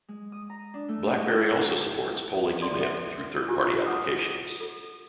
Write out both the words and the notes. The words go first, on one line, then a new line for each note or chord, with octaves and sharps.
BlackBerry also supports polling email, through third-party applications.
G#3
D#6
A#5
D4
A3
D#5
G#4
E4 A4 D5 C6
A4 E5 F#5
D4 F4 G4
A4 B4 F#5 A5 D6 D#6
A4